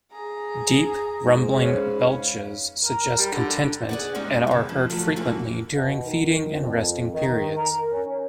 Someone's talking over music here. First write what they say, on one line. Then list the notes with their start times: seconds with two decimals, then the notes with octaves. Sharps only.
Deep, rumbling belches suggest contentment and are heard frequently during feeding and resting periods.
0.12 G#4 A#5
1.25 G#2
1.59 C#4 B4 F5
2.84 A#4
3.18 G3
3.32 D3
3.89 G#4 D5 F#5
4.15 G3 G#3 C#4 D#4
4.47 E2 C#3
4.69 F3
4.90 F3 F#3 A3
5.16 D3 E3 A#3 F#4
5.73 B2
6.05 D#3
6.50 F2
7.13 D#3
7.54 A#4
7.91 C#4